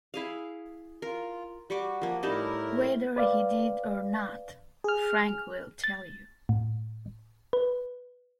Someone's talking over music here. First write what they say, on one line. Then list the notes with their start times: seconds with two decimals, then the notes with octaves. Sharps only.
Whether he did or not, Frank will tell you.
0.14 E4 G#4 F5
1.02 F4 A#4
1.70 G3 F#4 C#6 D6
2.02 F3 A#3
2.23 A2 G3 D#4 E4 A#4 A5
3.16 B4 D5 F5
4.84 G#4 F6
5.84 A6
6.49 A2
7.53 B4